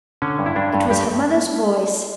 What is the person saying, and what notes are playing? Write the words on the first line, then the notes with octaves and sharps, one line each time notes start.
It was her mother's voice.
D3 C#4
G2
E4
G2 D4
G2
G2 G4